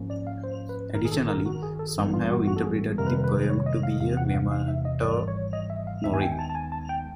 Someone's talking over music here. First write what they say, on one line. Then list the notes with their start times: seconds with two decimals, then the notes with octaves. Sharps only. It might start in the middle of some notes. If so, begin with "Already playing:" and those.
Additionally, some have interpreted the poem to be a Memento Mori.
Already playing: G#2 F3 A#3 C#4
0.10 D5
0.27 F5
0.44 C5
0.69 B4
0.94 G#1 G2 D#3 A#4
1.05 G#4
1.11 A4
1.28 A#4
1.46 F#4
1.63 G#4
1.79 A4
1.96 A1 G2 E3 G3 B3
2.14 F4
2.31 F#4
2.47 F#4
2.56 A4
2.64 G#4
2.98 F2 C3 D#3 G3 A#3 A#4
3.07 B4
3.15 A#4
3.24 B4
3.49 C#5
3.66 D#5
3.83 F5
4.00 E2 C3 E3 F5
4.17 F#5
4.34 F5
4.51 F5
4.68 E5
4.85 D#5
5.02 G#1 G#2 E3 G3 D5
5.28 C#5
5.53 D#5
5.70 E5
5.87 F5
6.04 D#2 D#3 G#3 B3 D#4 E5
6.14 G#5
6.21 G5
6.32 G#5
6.39 A5
6.50 A5
6.55 G#5
6.72 A5
6.89 G5